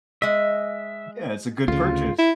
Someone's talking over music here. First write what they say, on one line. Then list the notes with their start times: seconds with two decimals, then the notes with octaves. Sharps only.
Yeah, it's a good purchase.
0.22 G#3 D#5 E5
1.68 D2 C#3 F4
2.18 E4